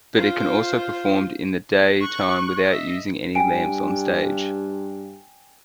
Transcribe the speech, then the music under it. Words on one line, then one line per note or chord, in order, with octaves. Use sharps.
But it can also performed in day time without using any lamps on stage.
F4 C5
C#6 F#6
D#5 E5
G2 G5 G#5 D7